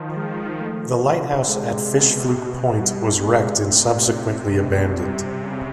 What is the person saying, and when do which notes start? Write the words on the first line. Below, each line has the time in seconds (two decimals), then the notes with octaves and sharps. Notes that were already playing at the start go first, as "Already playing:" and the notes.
The lighthouse at Fish Fluke Point was wrecked and subsequently abandoned.
Already playing: D#3 F3
0.17 G#3
0.60 A3
1.05 D3
1.48 C3 G#3
1.92 B2
2.79 G3
3.22 C3 G#3
3.66 C3 A3
4.54 B2 G#3
4.98 C3 G3
5.41 C#3